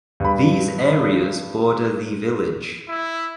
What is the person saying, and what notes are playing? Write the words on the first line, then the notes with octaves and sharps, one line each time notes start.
These areas border the village.
G2 B5
E4